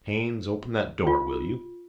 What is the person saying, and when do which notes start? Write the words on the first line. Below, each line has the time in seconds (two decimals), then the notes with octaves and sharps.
Haines, open that door, will you?
1.07 F4